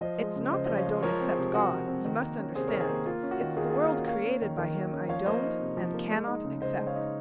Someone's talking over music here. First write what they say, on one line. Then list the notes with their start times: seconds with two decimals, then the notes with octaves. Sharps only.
It's not that I don't accept God, you must understand, it's the world created by Him I don't and cannot accept.
0.01 F3 C5 D#5
0.18 G#3
0.36 C#3
0.52 C#3 C5 D#5
0.65 F3 C5 D#5
0.77 C#5 F5
0.87 G#3
1.03 F3 A#4 C#5
1.20 C4
1.28 G#4 C5
1.37 C3
1.54 C3 F#4 A#4
1.71 F3
1.88 C4
2.05 D#3
2.21 A#3
2.39 C#4
2.55 C3 G#4 C5
2.68 D#3 A#4 C#5
2.81 G#4 C5
2.89 A#3
3.06 A#3 F4
3.23 C#4
3.31 F#4
3.40 D#3
3.57 D#3 F4 G#4
3.70 A#3 F4 G#4
3.83 F4
3.91 C#4 F#4
4.08 A#3 C#5 F5
4.25 C#4
4.42 D#3
4.58 D#3
4.76 A#3
4.92 C#4
5.09 F3 C#5 F5
5.26 A#3 C5 D#5
5.43 D#4
5.60 C3
5.77 F3
5.94 A#3
6.11 G#3
6.28 D#4
6.45 C#3
6.61 C#3 C5 D#5
6.79 G#3
6.87 C#5 F5
6.96 D#4